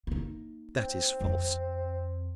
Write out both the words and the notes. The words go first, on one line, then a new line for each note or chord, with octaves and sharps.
That is false.
A#3 D#4
C4
F2